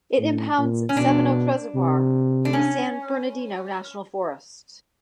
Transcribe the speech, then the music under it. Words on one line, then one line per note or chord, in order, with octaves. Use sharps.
It impounds Seven Oaks Reservoir in the San Bernardino National Forest.
A2
A#2
C#4
B2 D4
C3
D4
C#4